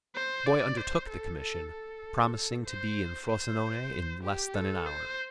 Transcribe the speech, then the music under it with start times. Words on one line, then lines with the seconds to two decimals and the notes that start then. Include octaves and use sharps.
The boy undertook the commission, promising to be in Frosinone in less than an hour.
0.15 C5
0.46 D5
0.77 C5
1.09 A4
1.40 A4
1.71 A4
2.66 C5
3.29 C5
4.23 G4
4.55 A4
4.86 C5